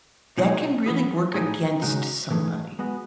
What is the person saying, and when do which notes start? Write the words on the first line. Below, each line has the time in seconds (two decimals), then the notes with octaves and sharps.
that can really work against somebody.
0.38 B2 G#3 D#4 G#4
0.86 E3 B3 E4 G#4
1.34 A2 G#3 D#4 G#4
1.82 C#3 G#3 D#4 F#4
2.31 E3 A3 D#4 G#4
2.79 G#3 B3 F#4